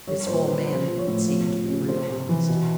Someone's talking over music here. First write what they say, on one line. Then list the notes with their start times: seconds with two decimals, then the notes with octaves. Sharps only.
His full manhood seemed to be realized.
0.07 G3 C#5
0.27 A#2 C5
0.47 A#2 B4
0.67 F3 C5
0.87 F3
0.98 C#5
1.07 A2
1.28 F3
1.49 F3
1.69 C#3
1.89 C3 C5
2.09 C3
2.29 E3
2.49 B2